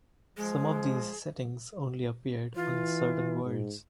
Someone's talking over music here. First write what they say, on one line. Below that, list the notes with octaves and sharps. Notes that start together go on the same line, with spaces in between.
Some of these settings only appeared on certain worlds.
F3 G#3 G#4
E3 F4
G#2